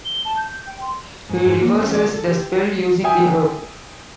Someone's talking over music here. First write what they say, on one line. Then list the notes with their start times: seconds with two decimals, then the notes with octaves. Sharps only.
He reverses the spell using the herb.
0.05 G7
0.25 A5
0.37 G6
0.67 G5
0.81 C6
1.29 G#2
1.45 G#2
1.61 A#3
1.78 C#4
1.94 D5
2.13 A4
2.27 G4
3.04 E5 G5 G#5 D#6